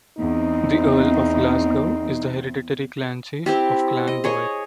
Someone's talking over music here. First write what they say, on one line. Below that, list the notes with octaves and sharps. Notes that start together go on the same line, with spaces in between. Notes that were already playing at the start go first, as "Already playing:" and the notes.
The Earl of Glasgow is the hereditary Clan Chief of Clan Boyle.
E2 C4 D#4
C4 E4 G4
D#5
G#4 C#5 D#5